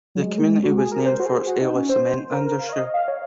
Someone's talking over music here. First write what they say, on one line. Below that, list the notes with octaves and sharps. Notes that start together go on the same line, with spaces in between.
The community was named for its early cement industry.
F#3
G#3
A#3
G#3
F#4
G#4
A#4
C5
F#4
G#4
F#4
D#4
C#4
C5
A#4
A#4
F5
C#5
D#5
F5
C#5